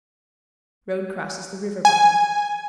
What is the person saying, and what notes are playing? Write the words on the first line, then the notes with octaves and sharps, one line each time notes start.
Road crosses the river bottom.
G#5